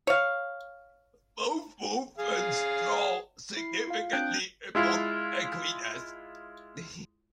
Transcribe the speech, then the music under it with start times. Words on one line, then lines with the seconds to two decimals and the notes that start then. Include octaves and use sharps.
Both movements draw significantly upon Aquinas.
0.07 C#5 F5
2.18 G#4 F5
3.57 E4 C7
3.87 F4 F5
4.13 C4 D4 G5 F#6 G6 D7
4.75 G#3 E4 F4